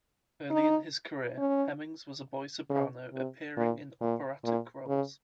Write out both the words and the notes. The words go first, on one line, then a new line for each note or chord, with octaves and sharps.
Early in his career, Hemmings was a boy soprano appearing in operatic roles.
D#4
C#4
C#3
C3
A#2
A#2
A#2
C#3